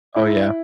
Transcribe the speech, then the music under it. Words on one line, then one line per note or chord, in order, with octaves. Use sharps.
Oh yeah.
E4